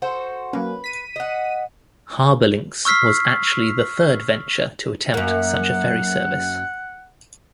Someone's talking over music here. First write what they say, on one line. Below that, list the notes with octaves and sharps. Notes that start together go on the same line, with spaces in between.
HarbourLynx was actually the third venture to attempt such a ferry service.
F#4 A4 C5
F#3 A#3 C#4 B4
B6 D#7
D#5 F#5
C#6 E6 F6 B6 C7
F#2 A#3 F#5